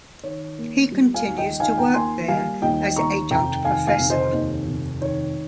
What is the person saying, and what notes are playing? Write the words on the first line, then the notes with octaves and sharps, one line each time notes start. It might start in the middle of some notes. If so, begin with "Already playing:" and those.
He continues to work there as Adjunct Professor.
D#3 C#5
A#3
G3
F5 G#5
D#2
D#5 G5
D#3 F5 G#5
G5 A#5
A#3 G#5 C6
G3 F5 G#5
D#2 D#5 G5
D#2 A#5 C#6
F1 G5 A#5
D#3 F5 G#5
F5 G#5
F1
C5 D#5
D#2
F1
D#3 C#5